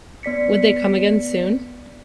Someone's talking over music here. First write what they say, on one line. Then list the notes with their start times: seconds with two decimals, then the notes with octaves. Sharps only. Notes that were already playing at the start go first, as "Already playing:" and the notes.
Would they come again soon?
0.23 B3 D5 B6 C#7